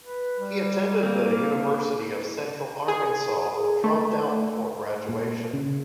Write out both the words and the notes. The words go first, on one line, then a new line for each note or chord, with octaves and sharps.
He attended the University of Central Arkansas but dropped out before graduation.
B4
G3
A#3 C4
G#4
A3
A#2
C#3